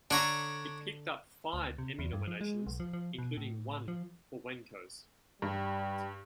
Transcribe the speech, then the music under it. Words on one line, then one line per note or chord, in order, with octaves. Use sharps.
It picked up five Emmy nominations, including one for Wendkos.
D3 D4 C#5 A#5
D2
C3
E2
G2
F3
G#3
B1
F3
F3
B2
A2
F3
G2 G3